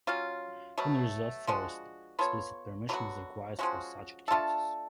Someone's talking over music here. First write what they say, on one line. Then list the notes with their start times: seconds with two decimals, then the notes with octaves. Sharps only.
In reserved forests, explicit permission is required for such activities.
0.07 F#3 C#4 F4
0.78 B2 F#3 A3
1.47 F3 G#3 D4 F#4
2.19 B3 F4 A4 C#5
2.89 D3 F#3 B3 F#4
3.59 F3 G#3 C#4 F#4
4.28 A3 D4 F4 A4